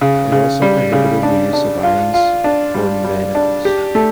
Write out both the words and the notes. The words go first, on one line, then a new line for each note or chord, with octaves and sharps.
It also prohibited the use of irons or manacles.
C#3
C#3
G3
C#3
D4
D4
F4
F4
D4
G3
G3
D4
G4
A3